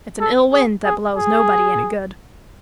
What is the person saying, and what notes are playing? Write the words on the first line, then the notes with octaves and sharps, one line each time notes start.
"It's an ill wind that blows nobody any good."
A4
G#4
G#4
G#4